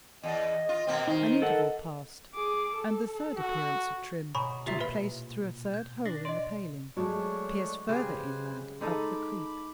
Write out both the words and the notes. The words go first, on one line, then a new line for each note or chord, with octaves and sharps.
An interval passed, and the third appearance of Trim took place, through a third hole in the paling, pierced further inland up the creek.
E2 D#5
F4
B2 A#3 C4
D#3 D#4 C5
A4 A#4 F#5
G#4 D6
A4
F#4
B2 C#5 G#5 A#5 B5 C#6
D2 E4 F4 G4 E5
A#2 B4 E5 B5
G6
D4 A#6
D5 D#5 C6
F#3 G#3 A3 D4 C#5
C#3 G4 G#4 B4 C5 G#5
G#3 D#4 A4 B5 D6